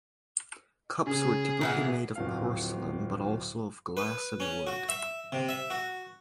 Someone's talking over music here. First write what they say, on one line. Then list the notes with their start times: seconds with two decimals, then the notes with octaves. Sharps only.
Cups were typically made of porcelain, but also of glass and wood.
1.07 C#3 G#4
1.61 A#2 E3 B3
2.15 D1 F2 F5
3.97 B4
4.40 C#4
4.67 F#4
4.89 E5
5.32 C3
5.49 E5
5.70 F#4